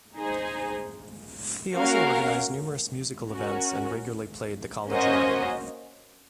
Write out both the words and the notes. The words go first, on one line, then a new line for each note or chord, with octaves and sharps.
He also organised numerous musical events and regularly played the college organ.
D#4 G#4 C5
A#3 C#4 F#4 A#4 F5
C#4 F#4 A#4
A#3 C#4 F#4 C5 D#5